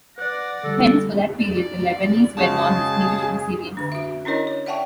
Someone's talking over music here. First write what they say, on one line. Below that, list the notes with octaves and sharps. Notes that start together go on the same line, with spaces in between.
Hence, for that period, the Lebanese were not distinguished from Syrians.
B4 D5 F#5 F#6 A#6
D3 G3 A4
D5
C#3 G#3 F#4 G#4 A5
D3 D4
F#4 E5
C#4 D4 E4 A#4 C#5 D#5
C#5
D5 E5 F#5 G5 A5 C#6